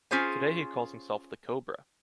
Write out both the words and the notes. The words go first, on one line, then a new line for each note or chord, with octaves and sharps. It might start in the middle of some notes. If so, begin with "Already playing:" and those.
Today he calls himself "The Cobra".
C#4 F4 G#4 C5 G#5